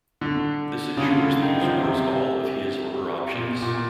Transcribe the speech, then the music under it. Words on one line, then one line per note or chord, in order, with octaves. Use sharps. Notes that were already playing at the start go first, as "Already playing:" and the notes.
This ensures the user knows all of his or her options.
D3
C#3
D3
D3
D#3
F3
C3
A#2
B2
A#2